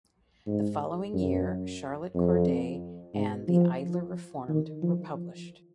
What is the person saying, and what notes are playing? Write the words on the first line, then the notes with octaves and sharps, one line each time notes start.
The following year "Charlotte Corday" and "The Idler Reformed" were published.
G#2
F#2
F2
G#2
F3
D#3
F3